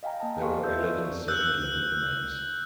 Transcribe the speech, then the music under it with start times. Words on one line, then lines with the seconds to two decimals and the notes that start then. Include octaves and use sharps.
There are eleven second-level domains.
0.03 D#5 F5 G5 G#5 A#5
0.19 A#3 D#5 A5 A#5
0.39 G4 A4 F5 C6 C#6
0.63 B4 D5 E5 F5 E6 G6
0.86 C#6
1.28 E6 F#6 G6